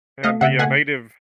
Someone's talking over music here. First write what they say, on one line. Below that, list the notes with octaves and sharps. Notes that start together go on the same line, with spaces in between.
and the, uh, Native
A3 D#5 F5
C#3 E5 F#5
A3 F#5 G#5